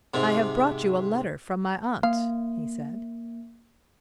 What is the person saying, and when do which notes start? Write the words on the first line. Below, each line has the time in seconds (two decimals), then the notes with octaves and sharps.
"I have brought you a letter from my aunt," he said.
0.14 G#2 C3
2.03 A#3 F5